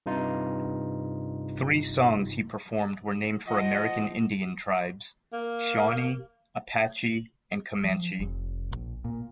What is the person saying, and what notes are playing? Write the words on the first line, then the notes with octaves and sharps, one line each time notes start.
Three songs he performed were named for American Indian tribes: "Shawnee", "Apache", and "Comanche".
G2 C3 D#4 F4
F3 D#5 F#5
A#3
F3
F1
A#1
A#2